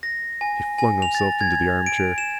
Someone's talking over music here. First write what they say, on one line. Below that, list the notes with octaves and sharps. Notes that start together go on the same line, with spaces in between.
He flung himself into the armchair.
A#6
G#5
G#5
F7
A6
G#6
D7
E7